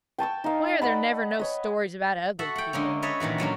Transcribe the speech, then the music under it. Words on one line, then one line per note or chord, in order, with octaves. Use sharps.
"Why are there never no stories about ugly people?"
G5 A5 C#6 E6
D#4 F5
D5 D#5 F#5 B5
C#5 D#5
F#4 A4 E5 F#5
F#5 G5
D3 G#3 A#3 C#4
B4 C#5 D#5 E5 A5
A#2 D#3 E3 F#4
D3 F#3 A#3 C#4